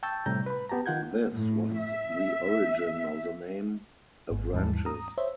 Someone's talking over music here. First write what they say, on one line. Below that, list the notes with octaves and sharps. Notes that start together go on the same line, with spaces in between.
This was the origin of the name "Avranches".
G5 A5 C#6 E6 G6 A6
A2 C3 G3 A#5 G6
B4 B5
B3 G4 A5 A#5
D#3 F4 F#5 G6 G#6
A2
E5
G#1 G#2
D#2 G#2 E3 G3 A5
A#5 D#6
C5 C#5 E5